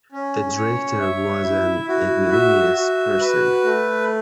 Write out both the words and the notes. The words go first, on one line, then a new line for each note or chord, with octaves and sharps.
The director was an ignominious person.
C#4
C#5
E5
E4
F#4
E5
F#4
B4
A3